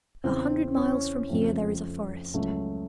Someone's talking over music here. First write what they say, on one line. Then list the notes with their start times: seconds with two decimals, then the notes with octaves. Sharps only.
A hundred miles from here there is a forest.
0.24 E2 C#3 E3 C4
0.76 C#4
1.29 F2 C#3 F3 A3 C4
2.34 C#2 C#3 F#3 A3